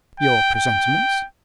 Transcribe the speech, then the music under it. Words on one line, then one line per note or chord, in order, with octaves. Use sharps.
"Your presentiments?"
G5
G5